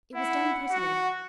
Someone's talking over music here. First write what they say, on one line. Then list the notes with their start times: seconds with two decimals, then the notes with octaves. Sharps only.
It was done prettily.
0.15 E4 F#5
0.72 F#4